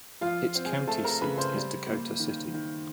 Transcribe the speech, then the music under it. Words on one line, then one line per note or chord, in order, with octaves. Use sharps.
Its county seat is Dakota City.
F3 F4 F5
C4
G#4 G#5
A3 A4 A5
A#4 A#5
C#3 B4 B5
C5 C6
G3
A#3
D#3
D#3